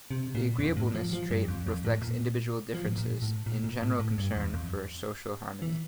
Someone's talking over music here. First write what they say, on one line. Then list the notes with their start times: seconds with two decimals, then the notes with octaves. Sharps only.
The agreeableness trait reflects individual differences in general concern for social harmony.
0.11 C3
0.35 A#2
0.59 F2
0.77 A2
0.95 F3
1.13 F3
1.31 G2
1.48 F2
1.66 F2
1.85 A2
2.02 A#2
2.74 F3
2.86 A2
2.98 A#2
3.22 A2
3.46 A#2
3.64 A#2
3.82 A2
4.00 A2
4.18 G2
4.36 E2
4.54 F2
5.62 E3